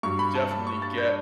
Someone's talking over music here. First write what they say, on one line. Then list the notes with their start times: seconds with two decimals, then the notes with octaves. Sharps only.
definitely get
0.03 G2 F#3 C#6
0.19 B5
0.35 A5
0.51 A5
0.67 C#6
0.82 A6
0.98 G6